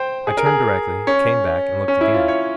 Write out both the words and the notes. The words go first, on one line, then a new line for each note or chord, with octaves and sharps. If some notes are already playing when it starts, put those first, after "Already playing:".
I turned directly, came back, and looked again.
Already playing: C5 G5
G#4
A#4
G#4
C#4
C#4
E4
F4
C#5